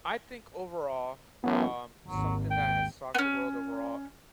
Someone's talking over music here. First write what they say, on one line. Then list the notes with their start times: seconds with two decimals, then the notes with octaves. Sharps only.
I think overall, um, something that has shocked the world overall
1.44 A1 F#2 B3
2.08 G#1 D#2 F#3
2.51 G5
3.14 B3 C#4